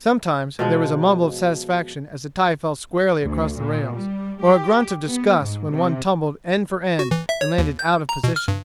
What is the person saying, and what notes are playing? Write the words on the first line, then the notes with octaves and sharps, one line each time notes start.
Sometimes there was a mumble of satisfaction as a tie fell squarely across the rails; or a grunt of disgust when one tumbled end for end and landed out of position.
B2 F3 G#3
D2
A#2
G3
G4
B3
G#2
C3
F#4
E3
E5
C#5
D#2
G6
A#5
B2
F6
G2